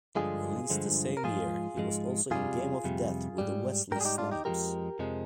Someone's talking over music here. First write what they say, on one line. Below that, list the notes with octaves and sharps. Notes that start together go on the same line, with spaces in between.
Released the same year, he was also in "Game of Death" with Wesley Snipes.
G2 D3 F3 G#3 F4 G#4
G2 D3 F3 G#3
A#4
G#2 F3 G#3 F4 G#4
G#2 F3 G#3
F2 C3 G3 F4 G#4
F2 C3 G3
G#2 G3
G#2 G3 G4 G#4 A#4
D#4 G4
D4 F4
D#4 G4
F2 C3 F3 G#3 G4 A#4
F2 C3 F3 G#3